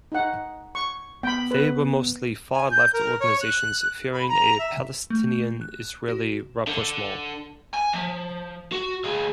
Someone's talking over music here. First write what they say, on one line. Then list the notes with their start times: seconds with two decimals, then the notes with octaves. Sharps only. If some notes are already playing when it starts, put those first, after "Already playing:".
They were mostly far-left organizations fearing a Palestinian-Israeli rapprochement.
0.12 D#4 F#5
0.75 C#6
1.23 B3 G5 B5
1.51 B4
2.53 G#5
2.71 G6
2.93 A#4
3.20 C#5
3.41 F#6
4.13 B5
4.29 A#5
4.59 E5
5.10 A3
5.61 F#6
6.08 F#4
6.68 D3
7.74 G#5
7.93 F3
8.72 F#4
9.04 D2 G#4